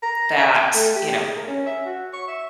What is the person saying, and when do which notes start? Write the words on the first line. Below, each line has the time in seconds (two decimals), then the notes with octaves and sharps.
that you know,
0.03 A#5
0.37 E5
0.57 G5
0.74 A3
0.96 G4
1.13 G#4
1.36 A#4
1.48 C#4
1.67 E5
1.85 F#4
2.13 C#6
2.28 E5